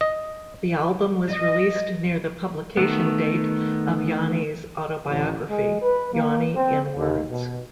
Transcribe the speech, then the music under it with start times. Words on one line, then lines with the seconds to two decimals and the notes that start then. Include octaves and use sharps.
The album was released near the publication date of Yanni's autobiography, Yanni in Words.
0.01 D#5
1.30 D#5
2.77 D#3 A3 B3
5.08 A1
5.48 G#3
5.82 B4
6.12 A#3
6.54 C4
6.96 D#2
7.29 B2